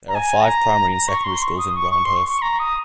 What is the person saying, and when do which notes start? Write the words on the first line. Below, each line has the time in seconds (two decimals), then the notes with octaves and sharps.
There are five primary and secondary schools in Rhawnhurst.
0.08 A#5
0.15 G#5
0.41 A#5
0.91 A#5
1.08 C#6
1.24 C6
1.42 C#6
1.58 D#6
1.75 C#6
1.91 C#6
2.05 C6
2.16 C#6
2.29 C#6
2.42 A#5
2.59 D#6